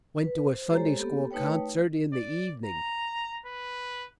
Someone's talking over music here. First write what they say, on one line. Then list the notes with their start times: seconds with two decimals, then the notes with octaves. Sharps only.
Went to a sunday school concert in the evening.
0.23 B4
0.51 C5
0.70 G#3 G4 A4 C5 C#5 A#5
0.99 A#3 B3 G4 A4
1.31 A3 D#4 B4 C#5 G5
2.13 D5
2.66 A#5
3.46 B4